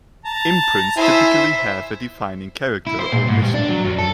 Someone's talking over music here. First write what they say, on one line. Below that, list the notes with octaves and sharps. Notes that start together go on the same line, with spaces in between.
Imprints typically have a defining character or mission.
A5 A#5
E4 C5 E5 G#5
E4
C5
A#2
G#2
G2
D4
F#3
F#2
A4